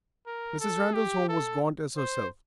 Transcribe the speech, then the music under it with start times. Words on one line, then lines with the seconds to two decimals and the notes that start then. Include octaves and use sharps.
Mrs. Randal's home was gaunt as herself.
0.26 A#4
0.60 A4
0.94 G4
1.29 A4
1.97 C5